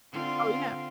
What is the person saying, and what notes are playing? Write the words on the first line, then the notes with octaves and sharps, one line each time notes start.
Oh, yeah.
D3 C4 F4